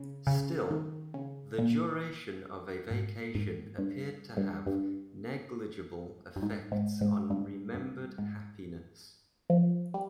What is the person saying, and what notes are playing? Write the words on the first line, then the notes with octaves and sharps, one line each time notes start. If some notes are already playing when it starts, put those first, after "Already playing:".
Still, the duration of a vacation appeared to have negligible effects on remembered happiness.
Already playing: C#3
C#3
D#3
C#3
A#2
G#2
G#2
G2
G2
G2
G2
G#2
G#2
G#2
G2
G2
G#2
F3
G3